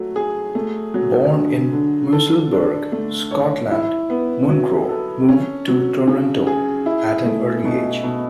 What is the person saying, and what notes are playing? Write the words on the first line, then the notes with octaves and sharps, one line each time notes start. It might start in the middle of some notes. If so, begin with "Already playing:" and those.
Born in Musselburgh, Scotland, Munro moved to Toronto at an early age.
Already playing: F#3 A3
G#4
A3
F#3
D3
D3
A4
D4
A3
C#5
E4
B3
F#3
A4
C#4
F#3
C#3
G#4
E4
A3
B2
B2